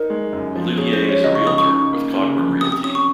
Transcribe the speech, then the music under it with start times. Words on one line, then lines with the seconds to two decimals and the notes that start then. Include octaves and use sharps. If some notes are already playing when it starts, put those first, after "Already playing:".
Olivier is a Realtor with Cogburn Realty.
Already playing: D#4 A#4
0.10 G#3
0.33 F#2
0.56 F3
0.78 C#4 G#4
0.93 C5
1.01 G#3
1.09 C#5
1.24 C#2 D#5
1.35 C#6
1.46 C#3 D#6
1.58 C#6
1.69 D#4
1.93 A#3
2.15 C#3
2.38 F3
2.61 C3 D#6
2.72 D#6
2.84 C#4 D#6
2.95 C#6